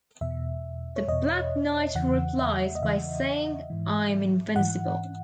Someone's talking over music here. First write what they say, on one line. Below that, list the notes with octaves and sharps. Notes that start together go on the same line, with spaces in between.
The Black Knight replies by saying, I'm invincible!
E2 B2 E5
C#5
E2 B2 D#5
E2 C#3 E3 F#5
E5
D#5
E2 C#3 E3 E5
G#2 E3
G#2 E3 F#5